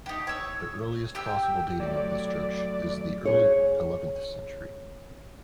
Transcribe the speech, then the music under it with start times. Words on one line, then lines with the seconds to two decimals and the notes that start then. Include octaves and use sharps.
The earliest possible dating of this church is the early eleventh century.
0.06 D#4 G4
0.27 C#5 E6
1.15 G4 G5 E6
1.80 F#3 A3 D5
3.25 G#4 C#5